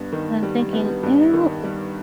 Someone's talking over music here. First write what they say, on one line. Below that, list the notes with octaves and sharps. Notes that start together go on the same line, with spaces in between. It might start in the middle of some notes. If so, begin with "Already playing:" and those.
and I'm thinking, "Ew!"
Already playing: G2 B3
D#3
G3
B3
G2
D#3
G3